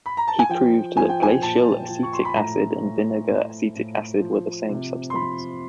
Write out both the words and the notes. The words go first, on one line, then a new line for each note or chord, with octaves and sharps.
He proved that glacial acetic acid and vinegar acetic acid were the same substance.
B5
A#5
A5
G#5
F3 G5
F3 G#5
G5
G#5
A#2 A5
F3
C#6
C6
B5
A2 A#5
A2
A2
A2
F3
C3
C6
F3 B5